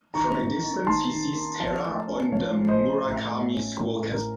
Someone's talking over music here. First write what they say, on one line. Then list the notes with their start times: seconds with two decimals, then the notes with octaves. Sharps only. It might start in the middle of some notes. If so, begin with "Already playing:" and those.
From a distance, he sees Terra on the Murakami School campus.
0.14 D#3 A#5 C#6
0.38 A#3
0.63 D#4
0.86 D#3 A5 C6
1.11 D#3
1.35 A#3
1.60 F3 F5 A5
1.84 A3
2.07 C#4
2.32 F3 C#5 F5
2.57 F3
2.68 C5 D#5
2.81 A3
3.04 A2
3.29 A3
3.54 C#4
3.78 A2
4.01 A2
4.14 A#4